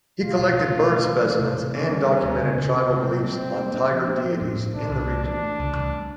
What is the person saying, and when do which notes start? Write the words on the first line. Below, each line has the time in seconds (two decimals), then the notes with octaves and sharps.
He collected bird specimens and documented tribal beliefs on tiger deities in the region.
0.22 B2 F4
0.39 B2
0.55 B2
0.73 D4
0.89 A3
1.06 F#3
1.24 E3
1.39 C3
1.56 C3
1.73 B3 C#4
1.90 G3
2.07 G3
2.23 D2
2.40 C#3
2.58 C#3
2.74 C3 C4
2.90 C3
3.07 F#3
3.24 G3
3.41 G3
3.58 A#3
3.74 D4
3.92 F3
4.07 D4
4.25 F3
4.41 A2
4.58 A#3
4.75 A#2 D4
4.91 C2
5.08 A3
5.25 E3 D4
5.42 A3
5.59 C#2
5.75 C2